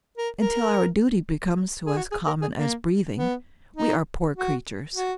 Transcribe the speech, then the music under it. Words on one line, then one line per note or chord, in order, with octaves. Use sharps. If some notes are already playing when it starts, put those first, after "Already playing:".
Until our duty becomes to us common as breathing, we are poor creatures.
A#4
A#4
G#4
F#4
G#4
A#4
G#4
A#3
B3
D#4
F#4
F#4